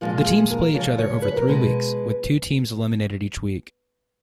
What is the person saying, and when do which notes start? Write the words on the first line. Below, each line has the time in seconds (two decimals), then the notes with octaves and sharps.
The teams play each other over three weeks, with two teams eliminated each week.
0.01 A#2 F3 G#3 F4
0.27 G#4
0.51 A#4
0.74 C#3 F3 G#3 C#5
0.98 C#5
1.22 B4
1.36 A#4
1.47 B2 G#3 B4